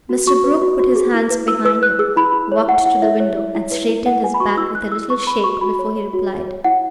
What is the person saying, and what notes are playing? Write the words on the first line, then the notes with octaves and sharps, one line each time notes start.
Mr. Brooke put his hands behind him, walked to the window and straightened his back with a little shake before he replied.
F#4
F#4 C#6
B4
F#4
F#4
G#4
E4
B4
E4 E6
B4 E6
B4 F#6
G#4 E6
E4 B5
E4
C#5
E4 F#5
E4 F#5
E4 E5
C#5
E4
E4
B4
E4
B4 F#5
B4 G#5
B5
F#4 C#6
E4 E6
E4 F#6
G#4 E6
B4 C#6
B4 B5
F#4 C#6
F#4 B5
C#5
C#5
F#4
F#4
C#5
E4 F#5